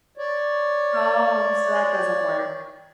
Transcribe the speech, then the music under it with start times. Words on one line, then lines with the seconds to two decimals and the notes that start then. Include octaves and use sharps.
Oh, so that doesn't work,
0.18 C#5 D5